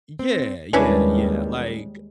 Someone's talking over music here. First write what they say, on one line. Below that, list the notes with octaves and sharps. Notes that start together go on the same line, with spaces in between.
Yeah, yeah, yeah. Like,
C4
D#2 E3 G3 G#3 C#4 D4 A#4 B4